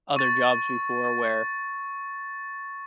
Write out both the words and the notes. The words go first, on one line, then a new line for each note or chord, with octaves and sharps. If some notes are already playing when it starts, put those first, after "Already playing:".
other jobs before where
C#6 A6